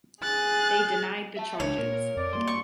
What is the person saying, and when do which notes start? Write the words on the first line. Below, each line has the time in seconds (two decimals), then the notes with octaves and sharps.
They denied the charges.
0.22 G#4 F#6 A6
1.37 E5 A5
1.60 C#2 D4 F#4 C#5
1.78 A#2 A#4
2.17 F2 D5
2.33 G2 F#3 A#3 C6
2.47 C#6